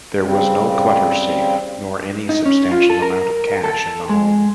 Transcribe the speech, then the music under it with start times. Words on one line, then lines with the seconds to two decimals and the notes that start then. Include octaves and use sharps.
There was no Clutter safe, nor any substantial amount of cash in the home.
0.23 C#3 G3 C4
2.29 D#4
2.46 C#4
2.71 F4
2.90 A4
3.02 A#4
3.64 A4
4.09 G#3